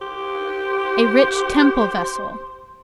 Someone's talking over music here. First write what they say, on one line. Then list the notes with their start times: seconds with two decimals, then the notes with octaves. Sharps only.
A rich temple vessel.
0.01 G4 C5